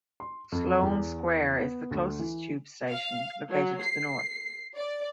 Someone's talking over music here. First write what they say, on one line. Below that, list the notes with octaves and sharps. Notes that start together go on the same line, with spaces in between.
Sloane Square is the closest tube station, located to the north.
C6
F2
E2
B3
D2
E3
F5
F#3
C7
D5